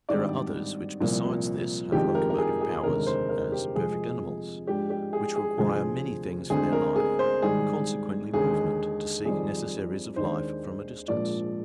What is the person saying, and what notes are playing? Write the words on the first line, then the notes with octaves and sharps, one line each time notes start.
There are others which besides this have locomotive powers, as perfect animals, which require many things for their life, and consequently movement to seek necessaries of life from a distance.
G#1 G2 D#3 G3 D5
C2 A#2 F3 A#3
F1 F2 C3 D#3 G#3 G4
A#4
A#4
G#4
G#4
F1 D#2 D3 G#3 A#4
C5
A#4
G4
F2 C3 F3 G#3 G#4
G#2 F3 G#3 D4 G4
G4
G#4
G#4
D2 C3 F3 C4 G#4
D2 D3 G#3 C4 G#4
A#4
G#4
C5
G#2 D#3 G3 G#4
D#2 D3 G#3 G#4
F2 D#3 G3 C4 G#4
D#2 D#3 G#3 D4 C5
A#1 G#2 F3 A#3 D5